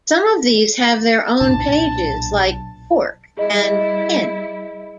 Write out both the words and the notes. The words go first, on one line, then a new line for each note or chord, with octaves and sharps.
Some of these have their own pages, like "fork" and "pin".
B1 A#2 D4 A5
G3 E4 G#4 D#5